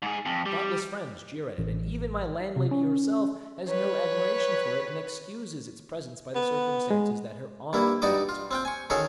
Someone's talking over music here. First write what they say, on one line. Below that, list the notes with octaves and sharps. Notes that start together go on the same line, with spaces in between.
Thoughtless friends jeer at it, and even my landlady herself has no admiration for it, and excuses its presence by the circumstance that her aunt gave it to her.
G#2 G#4
F2
G3
A1
C3
C#4
B4 C#5
B3
G#3
G2 A#3 E4
G2 D#4 F#4 D5 D#5 D6
F4
C4 F4 G5
G#5 C#6
D#3 C#4 F#4 G#4 A4 C#5